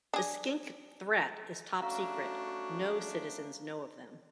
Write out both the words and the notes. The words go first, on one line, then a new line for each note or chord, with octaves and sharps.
The Skink Threat is top secret, no citizens know of them.
D4 G#4
A3 C#4 D4 F#4 F5 A#5